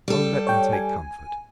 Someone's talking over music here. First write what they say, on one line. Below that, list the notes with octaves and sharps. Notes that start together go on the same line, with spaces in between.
Oh let them take comfort!
G3 A4
C#5 G5
G#5